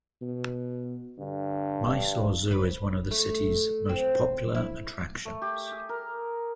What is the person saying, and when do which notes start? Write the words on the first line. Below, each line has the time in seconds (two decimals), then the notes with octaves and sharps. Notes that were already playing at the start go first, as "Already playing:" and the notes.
Mysore Zoo is one of the city's most popular attractions.
0.21 B2
1.19 G2 D3
2.51 B4
3.11 A3
3.89 C4
4.55 E4
5.25 A3
5.42 G4
5.72 G#4
5.89 A#4